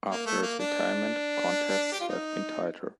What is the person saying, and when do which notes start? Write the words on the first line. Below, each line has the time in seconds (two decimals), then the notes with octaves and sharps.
After his retirement, contests have been tighter.
0.09 A#3
0.26 A3
0.42 A#3
0.59 D4
1.92 G4
2.00 F4
2.09 D#4